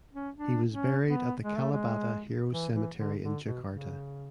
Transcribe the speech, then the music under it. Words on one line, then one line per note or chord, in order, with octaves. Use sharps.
He was buried at the Kalibata Heroes Cemetery in Jakarta.
C#4
D4
C#4
B3
G#3
A3
G#3
E3
E3
D3
D3
B2
C#3